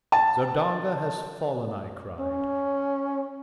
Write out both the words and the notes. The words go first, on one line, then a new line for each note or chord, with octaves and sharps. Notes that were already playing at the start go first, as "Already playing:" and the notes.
"Zodanga has fallen," I cried.
A5
C#4